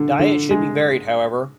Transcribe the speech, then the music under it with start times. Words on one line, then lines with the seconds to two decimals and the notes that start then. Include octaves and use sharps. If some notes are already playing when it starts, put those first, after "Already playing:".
Diet should be varied however.
Already playing: D3
0.19 D3
0.51 G#3